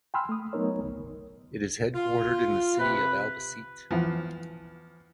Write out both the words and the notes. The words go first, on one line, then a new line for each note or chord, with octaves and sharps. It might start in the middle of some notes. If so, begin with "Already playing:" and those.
It is headquartered in the city of Albacete.
G5 G#5 B5 C6 E6 F6
A3 D#6
F#3 A3 B3 D#4 A#4 C#5
F4
C3 B4
E2 F3